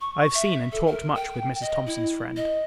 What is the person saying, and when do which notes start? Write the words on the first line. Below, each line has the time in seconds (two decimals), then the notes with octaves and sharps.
I have seen, and talked much with, Mrs. Thomson's friend.
0.01 C#6
0.34 E5
0.72 A4
0.86 A#4
1.15 G5
1.60 D#5
1.86 E4
2.37 D#5